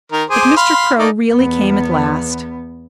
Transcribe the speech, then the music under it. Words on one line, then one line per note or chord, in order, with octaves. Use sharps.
But Mr. Crow really came at last.
D#3 A#4
G#4 C5 D6
F5 B5 C6
A#3 D#4 D5
E2 B3